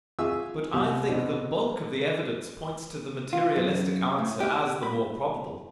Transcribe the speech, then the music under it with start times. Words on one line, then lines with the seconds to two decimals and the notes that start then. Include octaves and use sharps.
But I think the bulk of the evidence points to the materialistic answer as the more probable.
0.19 F4 G#4 E5 G#5 C#6 E6
0.73 C2 B3 G4
1.08 B2 C4 D4
3.33 F4
3.56 F#2
4.19 A2
4.40 G4
4.83 B5